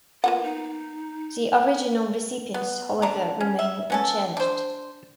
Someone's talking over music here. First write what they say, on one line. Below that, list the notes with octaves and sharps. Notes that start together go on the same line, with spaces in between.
The original recipients, however, remain unchanged.
A#3 B3 F4 F#5
D#4
B3
D3 D4 A#5
C#4
E5
B3 C#4 A4
D4 C5